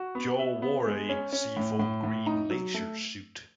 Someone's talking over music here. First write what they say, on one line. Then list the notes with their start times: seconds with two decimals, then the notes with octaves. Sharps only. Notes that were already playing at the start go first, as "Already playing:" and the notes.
Joe wore "a seafoam green leisure suit".
Already playing: F#4
0.15 B3
0.39 E5
0.62 B3
0.85 G#3
1.09 C#4
1.33 C#4
1.57 A2
1.79 A2
2.03 A2
2.27 D#4
2.50 F#3
2.74 A3